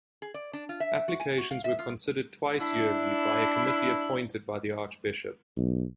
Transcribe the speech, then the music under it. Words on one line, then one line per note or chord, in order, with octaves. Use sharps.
Applications were considered twice yearly by a committee appointed by the archbishop.
G#4
D5
D4
F4
E5
F#4
G#5
F#4
F5
E5
F4
D4 E4
B1